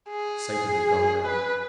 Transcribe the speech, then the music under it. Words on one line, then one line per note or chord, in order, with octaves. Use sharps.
Satan had gone down.
G#4
B4